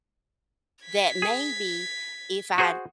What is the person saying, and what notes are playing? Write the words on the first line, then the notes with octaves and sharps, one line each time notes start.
that maybe if I
G#6 B6
G#4
F#4 G#4 C5